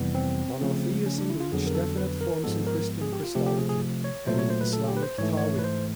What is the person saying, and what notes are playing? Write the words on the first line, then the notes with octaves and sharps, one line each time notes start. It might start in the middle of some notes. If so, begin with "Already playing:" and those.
Monotheism reached definite forms in Christian Christology and in Islamic Tawhid.
Already playing: F2 C3 E3 G3 B3
C4
C#3 F3 A3
C#4
D4
E4
F4
F2 D3 F#3 B3 G#4
A#4
A4
B4
A#4
G#2 F3 G#3 B3 A4
A#4
G#4
G4
F4
C3 F3 A3 G4
G4
G#4
G#4
C#5
A#2 F#3 A3 C5
C#5
C5
B4
A4
G4
B4
C5
G#2 E3 A3 C#5
C#5
B4
C5